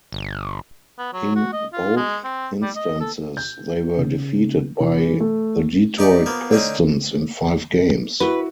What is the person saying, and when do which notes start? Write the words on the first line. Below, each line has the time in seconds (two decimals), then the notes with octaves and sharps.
In both instances, they were defeated by the Detroit Pistons in five games.
0.12 G1
0.98 B3
1.13 F#3
1.36 F#4
1.53 D#5
1.73 F4
1.96 G#3
2.24 C4
2.62 G3
2.75 D#5
3.00 A4
3.37 G6
3.97 C#3
4.80 E3
5.20 A3
5.98 D#4 G4 D5 C#6
6.26 F3 A#3 B3
6.51 D3 C4 C#4 D#4
8.20 E4 F#4 B4